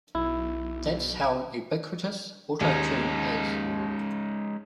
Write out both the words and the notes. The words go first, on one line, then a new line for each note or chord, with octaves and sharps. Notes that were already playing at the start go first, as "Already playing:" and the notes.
That's how ubiquitous Auto-Tune is.
B1 E4
D#2 G#3 C#4 D#4